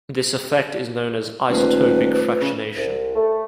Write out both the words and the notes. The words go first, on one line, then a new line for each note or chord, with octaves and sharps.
This effect is known as isotopic fractionation.
D#1 A3 F4 B4 C5
C#3
C2
A3